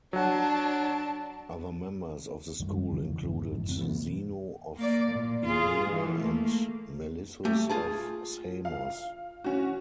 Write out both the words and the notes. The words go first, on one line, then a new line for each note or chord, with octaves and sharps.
Other members of the school included Zeno of Elea and Melissus of Samos.
F#3 D4 F#5 A5
F#2 D#3 G3 G#3
F2 C#3 E3
F2 G#2 D3
F#1 G#2 E3
F2 G#3 B3 C4
B2 E3 A#3 B3
A#3 D5
A#2
F4 G#4
E3
A3 A#3
A3 G4
F4 G#4 A5
F5
C#4 F#4